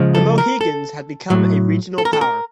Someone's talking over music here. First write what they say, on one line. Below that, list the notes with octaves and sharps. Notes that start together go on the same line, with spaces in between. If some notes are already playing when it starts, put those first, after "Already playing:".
The Mohegans had become a regional power.
Already playing: C#3 F3 G#3
A4
A#4
A4
A2 F#3
A4
A#4
A4
A#4